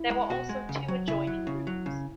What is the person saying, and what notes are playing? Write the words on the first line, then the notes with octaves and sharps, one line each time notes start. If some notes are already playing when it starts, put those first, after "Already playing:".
There were also two adjoining rooms.
Already playing: E4
G#3
B2 F#4
G#3
C#3
F#3
C#3 E4
F#3
C#3
F#3
C#3